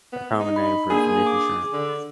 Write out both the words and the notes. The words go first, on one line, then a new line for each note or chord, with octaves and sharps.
A common name for it is nika shrimp.
B3
D#4
B5
A#3 D4 G#4 G#5
D6
D3